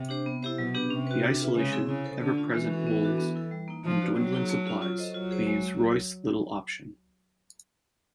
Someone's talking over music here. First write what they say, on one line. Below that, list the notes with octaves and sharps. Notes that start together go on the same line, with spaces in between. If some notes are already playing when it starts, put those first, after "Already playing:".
The isolation, ever-present wolves and dwindling supplies leaves Royce little option.
Already playing: C3
D4 G4 C5
B3
E4 G4 C5 E5
B2 F#3
B3 D4 G4 B4
C3 C#4
F#4 B4
D4
F4 G#4 B4 E5
C#3 G#3
C4 E4 G#4
C#3 E4
A4 C5
D3 A3
C#4 F4
E3 G#3
C#4 F#4 A4
B3
D4 F#4 A4
B3
E4 A4
G3
A#3 D#4
F3 A3
D4 F#4 B4 D5
F#3 G3
A#3 D#4 G#4
A3
C#4 F4 G#4
F4
A4 C5 D#5
F#3 F4
G#4 C5
G#3